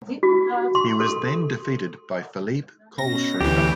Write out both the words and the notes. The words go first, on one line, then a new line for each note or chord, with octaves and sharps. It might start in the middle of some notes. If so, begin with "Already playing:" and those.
He was then defeated by Philipp Kohlschreiber.
F#4
C6
A4
B2 C#4 A#6
D2 E3 G4